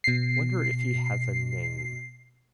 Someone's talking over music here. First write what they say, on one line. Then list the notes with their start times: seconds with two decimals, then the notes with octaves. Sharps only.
Wonder if he has a name.
0.04 B2 C7